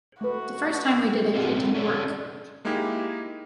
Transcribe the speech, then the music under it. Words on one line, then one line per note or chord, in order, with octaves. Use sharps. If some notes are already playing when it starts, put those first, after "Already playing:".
The first time we did it, it didn't work.
A3 F#4 B4
C4 F4 F#4 D5 F#5
A3 C4
C#4 D4 A4 D5
G#3 A#3 D#4 E4 G4 G#4